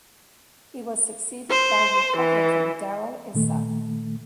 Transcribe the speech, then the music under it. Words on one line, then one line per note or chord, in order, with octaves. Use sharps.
He was succeeded by Republican Darrell Issa.
C5
E3
A#2 D#3 A3